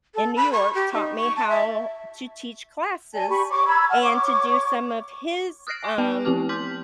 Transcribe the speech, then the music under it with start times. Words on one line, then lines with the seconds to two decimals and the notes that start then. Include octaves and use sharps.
in New York taught me how to teach classes and to do some of his, um,
0.15 A4
0.36 B5
0.52 C#6
0.75 G4
0.94 D#4
1.17 C#6
1.36 A5
1.49 E5
3.15 D5 G#5 A5
3.29 G4 B5 C#6
3.50 C#5 C#6 D6
3.66 A#5 B5 E6 G#6
3.88 F#5 A5 F6
4.01 C#5 C#6 D6
5.67 D#6 F6 F#6 A#6 C7 D7
5.84 G#5 C#6 D6
5.98 B3 B4 G5 A5
6.25 F3 C4 G4 A5 D6 F6
6.49 C6 D6 F6 G6 B6 F#7